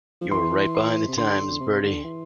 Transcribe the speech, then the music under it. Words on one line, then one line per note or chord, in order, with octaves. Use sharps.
You're right behind the times, Bertie.
F3
E3 C6
C6
C3
D3 C6
D3
C3
D3
E3